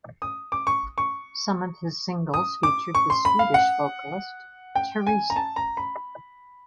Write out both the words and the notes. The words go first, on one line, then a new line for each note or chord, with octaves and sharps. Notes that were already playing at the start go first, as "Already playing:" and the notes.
Some of his singles featured the Swedish vocalist Therese.
D#6
D6
C#6
C#6
D#6
D6
C#6
C6
B5
F5
F#5
G5
G#5
A#5
A5
A#5
B5